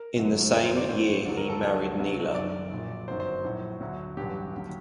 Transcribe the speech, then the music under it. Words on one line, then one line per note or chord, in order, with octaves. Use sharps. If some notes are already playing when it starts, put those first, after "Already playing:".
In the same year he married Neeley.
Already playing: A#4
G1 F#2 D3 F#3
G1 F#2 F#3 A#4
C5
D5
A1 A2 F#3 C5
D#2 D3 F#3 D5
A#4
A4
D2 D3 F#3
C2 C3 D#3 F#3
F#1 F#2 D#3 D5
A#1 A#2 F#3
G1 F#2 D#3 F#3 C5
C5
A#1 A2 F#3
D2 D3 F#3
A1 G2 D3 F#3 G4
D#2 D3 F#3